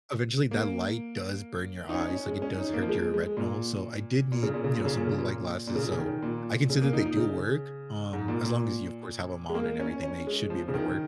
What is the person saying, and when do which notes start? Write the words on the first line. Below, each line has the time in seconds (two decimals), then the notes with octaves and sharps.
eventually, that light does burn your eyes, like, it does hurt your retinol, so I did need, you know, some blue-light glasses, so, I consider they do work, um, as long as you, of course, have them on and everything, they should be able to work-
0.51 A#3
1.89 D#4
1.94 C#4
2.10 C#4
2.26 G#3
2.42 C#4
2.58 D#4
2.74 A#3
2.82 F3
2.89 G#3
3.14 G#3
3.37 A#2
4.32 A#2
4.43 C#3
4.54 A#2
4.64 C#3
4.75 A#2
4.85 C#3
4.96 A#2
5.07 C#3
5.18 A#2
5.67 A#2
5.75 C#3
5.92 C#3
5.98 D#3
6.22 A#2
6.70 C#3
6.82 A#3
6.93 D#4
7.06 D#4
7.17 C#3
8.13 G#2
8.28 A#2
8.45 A#2
9.50 G#3
9.55 A#3
9.79 C#4
10.03 C#4
10.27 G#3
10.50 F3
10.68 C#3
10.74 D#3